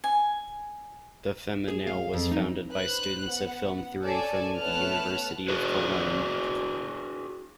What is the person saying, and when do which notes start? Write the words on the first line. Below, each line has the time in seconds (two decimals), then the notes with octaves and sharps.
The Feminale was founded by students of film theory from the University of Cologne.
0.04 G#5
1.68 G#4
1.87 F5
2.13 F2
2.31 D#4
2.71 B4 C5 F#6
3.27 B3 F#5
4.04 A4 C#5 D5 G#5 A5
4.59 A3 B3 C#5 A5 F6 F#6
5.48 D4 F#4 G#4 B4